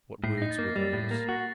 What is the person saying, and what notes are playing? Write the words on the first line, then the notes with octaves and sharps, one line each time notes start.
What words were those?
A2 C7
D#4 A#6
A6
A#3 A#6
G3 A6
A2
A#3
F#4